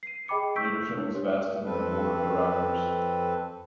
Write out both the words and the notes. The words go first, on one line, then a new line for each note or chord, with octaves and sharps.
Leadership is vested in a board of directors.
C7 D#7
G#4 D#5 G5 B5 D6 C#7
C#6 E6 G6 B6 D7
D4 E4 A#4 C#5
G4 C#5
F2 C4 A4 B4